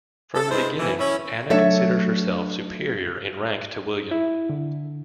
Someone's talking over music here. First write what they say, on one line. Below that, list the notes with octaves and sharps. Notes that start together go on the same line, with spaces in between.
From the beginning, Anna considered herself superior in rank to William.
A4
G2 G#3 E4 C5
B2 E3
C#4 E4
F#3 A3 D4 A4 C#5 E5
E4
D3